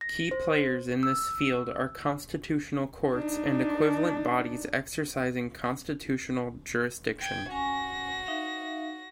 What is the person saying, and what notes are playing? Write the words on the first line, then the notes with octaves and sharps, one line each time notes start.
Key players in this field are constitutional courts and equivalent bodies exercising constitutional jurisdiction.
A#6
C5
E6
D4 D#4
G5 G#6
C#4 F#4 G#5 C#6 A#6
D#4 E5 F5